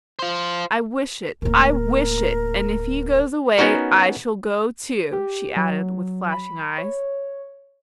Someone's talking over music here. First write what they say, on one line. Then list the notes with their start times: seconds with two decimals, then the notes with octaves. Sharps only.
"I wish it, I wish it! And if he goes away I shall go, too!" she added with flashing eyes.
0.19 F4 C5
1.42 D1 A#3 A#4
3.58 B3 C#4 D#4 F#4 A#4
5.13 G4
5.57 F#3
6.32 B5
6.78 C#5